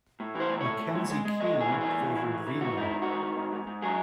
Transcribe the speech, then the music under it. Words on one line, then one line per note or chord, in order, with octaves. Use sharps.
Mackenzie King favoured Vimy.
A2
E3
C5
A2
A2 C#5
A2
G#3
G#3
G#3
A3 D#5
A2 G#4
E3
E3 G#4
A2
E3
A2
E3
G#2 F#4
G#2 D#4 E4
D#3
G#2 F#4
D#3
G#2
G#2
G#2
F#3 G#4